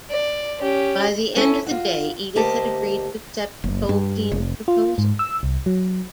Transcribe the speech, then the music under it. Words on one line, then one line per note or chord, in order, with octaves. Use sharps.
By the end of the day, Edith had agreed to accept Tolkien's proposal.
D5
C#4 G4
C#4 E4 A4 E5
F4 F#4
D2 A#3 G4 D#5 A5
F#1
G2
F1
F4
G#2
E6
C2
F#3